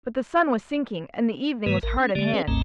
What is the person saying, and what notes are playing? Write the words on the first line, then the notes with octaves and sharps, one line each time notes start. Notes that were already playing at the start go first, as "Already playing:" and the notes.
But the sun was sinking, and the evening was hard at hand.
G#2 E3 G#3 A#3 B4
A1 A#4
C#4
D3 G#3 A#3 G4 D5
C4 C#4 G#4 B4 D5
G#1 D2 G#2 A3 C4 A#5